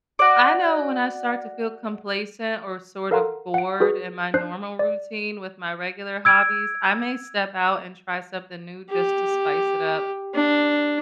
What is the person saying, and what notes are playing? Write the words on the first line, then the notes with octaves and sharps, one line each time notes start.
I know when I start to feel complacent or sort of bored in my normal routine with my regular hobbies, I may step out and try something new just to spice it up.
F#4 D5
A4 A#4 F5 F#5 A#5 C6
F#5 D7
F#4 G#4 B4
D4 C5 F#6 G6 C7
D5
E6 G#6 D7
G4
D4